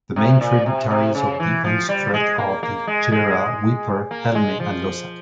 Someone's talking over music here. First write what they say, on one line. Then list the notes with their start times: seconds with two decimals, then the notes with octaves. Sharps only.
The main tributaries of the Unstrut are the Gera, Wipper, Helme, and Lossa.
0.16 C3
0.41 A#2
0.66 C3
0.90 C3
1.15 C#3
1.40 E3
1.64 F3
1.89 G3
2.14 G#3
2.38 A#3
2.63 A#3
2.87 G#3
3.12 G#3
4.11 A#3
4.35 G#3
4.60 F3